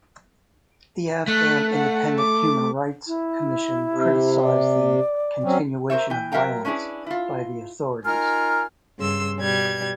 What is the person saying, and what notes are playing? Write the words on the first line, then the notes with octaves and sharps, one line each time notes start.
The Afghan Independent Human Rights Commission criticised the "continuation of violence" by the authorities.
A3 F#6
F#5
D6
E4
C3
D5
F#3 C4 C#4
A#4 C5 C#5 E5
E3 G5
F#3 A#4 E5 F5 G5 A#5
C#4 D4 E4 G4 G#4 B4
E4 F4
D#4 F4 A#4 G#5 F6
G2 C#3 C6 E6
B2 G3 G#6